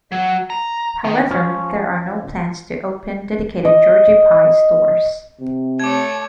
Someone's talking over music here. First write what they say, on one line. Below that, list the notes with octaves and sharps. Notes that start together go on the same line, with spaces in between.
However, there are no plans to open dedicated Georgie Pie stores.
F#3
A#5
D#3
F3 C#4
D#5
C3
A3 C#5 A5 D6 G#6